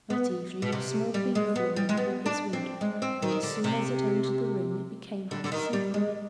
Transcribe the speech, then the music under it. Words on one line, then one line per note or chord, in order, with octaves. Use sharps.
That evening a small bee flew in through his window, and as soon as it entered the room it became Hyacinthia.
B3
B2
C3
G3
G#3
B3
G3
G#3
B3
D4
C4
G#3
C4
D#3
D3
C3
D3
D3
D#3
G3
G#3